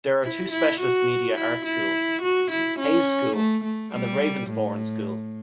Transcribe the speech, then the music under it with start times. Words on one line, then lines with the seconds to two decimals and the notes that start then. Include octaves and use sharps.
There are two specialist Media Arts Schools, Hayes School and The Ravensbourne School.
0.23 E4
0.52 E4
0.80 F#4
1.37 E4
1.65 E4
2.22 F#4
2.51 E4
2.79 C#4
3.36 A3
3.64 A3
3.93 G3
4.50 A2